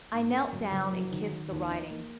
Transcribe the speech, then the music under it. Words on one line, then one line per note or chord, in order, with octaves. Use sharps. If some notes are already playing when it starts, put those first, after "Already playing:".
I knelt down and kissed the writing.
G#2
A#3
F#2
F#1
F#3
D#3
D#3
D#2
D#4
A#3